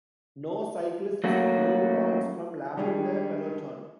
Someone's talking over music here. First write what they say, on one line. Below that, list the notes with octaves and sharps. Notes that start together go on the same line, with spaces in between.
No cyclists gained points from lapping the peloton.
F#3 A3 A#3 C#4 F#4
D#3 G3 G#3 D4 G#4